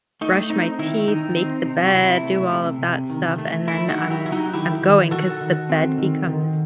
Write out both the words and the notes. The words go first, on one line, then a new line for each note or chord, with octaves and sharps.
brush my teeth, make the bed, do all of that stuff, and then I'm I'm going 'cause the bed becomes
A3 D#4
C4 D#4
D#3 E4
D#3 D#4
C4
C3
F#4
C3 E4
A3
C3
C3
D#3
A3
D#3 E4
D#4 F#4
F#3
E4 G4
F#3 E4
D#4 F#4
D#3 E4 G4
D#3
D#3 F#4 A4
D#3
C4
D#3
D#3